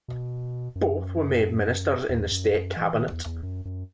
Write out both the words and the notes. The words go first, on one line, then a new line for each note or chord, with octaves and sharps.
Both were made ministers in the state cabinet.
B2
F#2
E2
F#2
F#2
E3
D#3
E2
E2
F#2
F#2